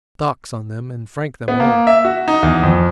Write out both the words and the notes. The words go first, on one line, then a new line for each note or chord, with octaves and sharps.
Docs' on them and frank them home.
B3
A#3
E5
F#4
D#4
E2
F2